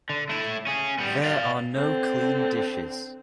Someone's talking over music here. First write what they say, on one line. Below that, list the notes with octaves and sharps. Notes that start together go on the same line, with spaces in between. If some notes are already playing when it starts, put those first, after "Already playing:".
There are no clean dishes.
D3
A3 E4
C#4 G#4
G3 B3
D5 F5
D3 C4